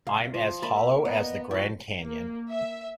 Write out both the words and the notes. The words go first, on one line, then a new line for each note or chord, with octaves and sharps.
I'm as hollow as the Grand Canyon.
C2 F5
F3 C6
A#3 D5 E5 B5
B3 D5 F#5 A#5 B5
D#5
F#3 E4 B4 G5 A5 C#6
A#3
E5